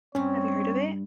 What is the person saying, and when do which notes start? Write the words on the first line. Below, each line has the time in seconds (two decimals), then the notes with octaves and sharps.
Have you heard of it?
0.15 G2 G3 C4 C#4 C#5